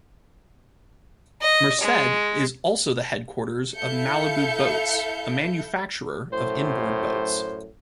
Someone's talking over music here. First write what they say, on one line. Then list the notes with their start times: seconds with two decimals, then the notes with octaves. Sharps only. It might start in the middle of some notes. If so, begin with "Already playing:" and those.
Merced is also the headquarters of Malibu Boats, a manufacturer of inboard boats.
1.41 D#5
1.81 G#3
3.76 E4 A4 E5 F5 G6 C#7
6.33 F#2 A2 C5